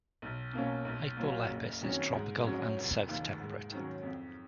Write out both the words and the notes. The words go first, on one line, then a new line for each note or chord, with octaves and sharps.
"Hypolepis" is tropical and south-temperate.
B1
B2 A#3 C#4
B1
A#2 F#3 A#3
F#1
F2 D#3 F#3 C#4
G#2
F#3 C#4
F1
D#2 D#3 A#3
G#2
D#3 F#3 C#4
F2